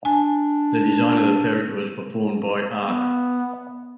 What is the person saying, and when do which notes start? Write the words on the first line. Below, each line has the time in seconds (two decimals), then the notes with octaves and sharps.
The design of the fabric was performed by Arq.
0.05 D4 G#5
2.85 B3